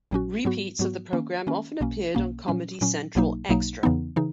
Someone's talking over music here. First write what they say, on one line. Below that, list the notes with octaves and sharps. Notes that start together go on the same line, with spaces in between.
Repeats of the programme often appeared on Comedy Central Extra.
A#1 A#2 F#3 C#4 F#4
G#2 F#3 B3 F#4
G#2 F#3 B3 F#4
D#3 A#3 C#4
D#3 A#3 C#4
B1 B2 A#3 C#4
B1 B2 A#3 C#4
A#2 F#3 C#4
A#2 F#3 C#4
B1 B2 F#3 A#3 D#4
B1 B2 F#3 A#3 D#4
E2 C#3 E3 B3 D#4
C#3 E3 D#4